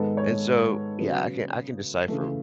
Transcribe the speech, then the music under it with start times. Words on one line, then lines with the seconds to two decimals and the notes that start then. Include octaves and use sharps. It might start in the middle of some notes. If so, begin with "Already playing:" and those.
and so, yeah, I can I can decipher
Already playing: G#2 D#3 G#3 B3 A4
0.17 C#5
1.00 C#3 F#3 B3
2.08 C#3 E3 A3